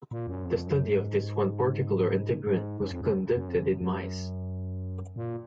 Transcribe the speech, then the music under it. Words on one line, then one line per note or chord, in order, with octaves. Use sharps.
The study of this one particular integrin was conducted in mice.
A#2
F#2
F2
F#2
G#2
G#2
F#2
F2
F#2
F#2
F2
F#2
F#2
A#2